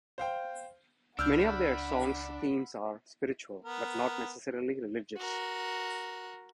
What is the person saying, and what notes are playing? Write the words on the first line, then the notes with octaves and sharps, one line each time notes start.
Many of their songs' themes are spiritual, but not necessarily religious.
C5 F5 G5
C#2 D4 F#5 B5 E6 F6 G6
B3 A#4
F#4 A#4